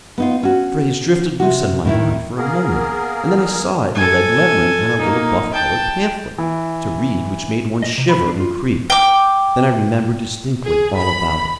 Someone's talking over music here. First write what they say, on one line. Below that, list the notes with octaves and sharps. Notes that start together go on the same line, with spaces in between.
The phrase drifted loose in my mind for a moment, and then I saw it in red lettering on a little buff-coloured pamphlet, to read which made one shiver and creep. Then I remembered distinctly all about it.
B3 D#4 F4
C#4 F#4
C3 F#4
A2 D#3 E4
A#3 B3 G#4 A#4
A4 G#5
A#3 D#4
G5 A5
E3
D#5
C3
B5
D4
F4
G5 D6
G#4
B5